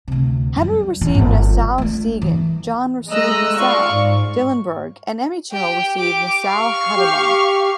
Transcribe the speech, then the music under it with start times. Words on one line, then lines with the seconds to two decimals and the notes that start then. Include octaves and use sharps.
Henry received Nassau-Siegen, John received Nassau-Dillenburg and Emicho I received Nassau-Hadamar.
0.08 D2 C3
0.57 F#2 G3
1.01 A#1 E2
1.15 G1
1.78 A3 D4
2.22 E3
3.09 G#3 A3 D#5 A#5 E6 F#6
3.58 F4 D5 F5 C#6
3.89 G#2
5.52 G4 G5
5.99 G4 D6
6.47 F5 C#6
6.96 G4